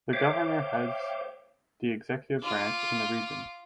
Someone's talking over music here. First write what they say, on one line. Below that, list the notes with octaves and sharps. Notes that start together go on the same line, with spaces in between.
The governor heads the executive branch in the region.
C5 C#5 E5 F5 G5 D6
F4 D6